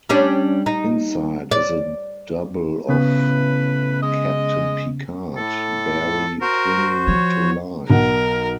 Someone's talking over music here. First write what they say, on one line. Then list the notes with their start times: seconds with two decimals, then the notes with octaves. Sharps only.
Inside is a double of Captain Picard, barely clinging to life.
0.09 G3 C#4 D4
0.66 D#4
1.51 D5
2.89 A2 C#3 B3 B4
4.02 G#3 D#5
5.37 A2 A4
6.41 F#4 A#4 C5
7.07 F3 C#5
7.90 B1 A#4 F#5